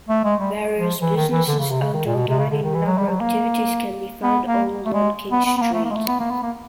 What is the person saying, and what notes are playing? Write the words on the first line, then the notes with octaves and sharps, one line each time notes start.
Various businesses, outdoor dining and other activities can be found all along King Street.
A3
G#3
G3
F3
E3
D#3
E3
D3
C#3
C3
C#3
D#3
A#2
B2
C3
C#3
D3
D#3
E3
F#3
G3
F#3
A#3
B3
A#3
A3
G#3
B3
B3
B3
A#3
A3
A#3
G#3
A3
B3
A#3
B3
A#3